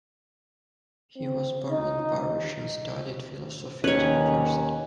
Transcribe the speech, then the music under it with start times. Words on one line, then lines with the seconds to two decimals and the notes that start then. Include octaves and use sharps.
He was born in Paris and studied philosophy at university.
1.17 C4
1.71 D#4
3.84 D#2 C#4 D#4 B4 C#5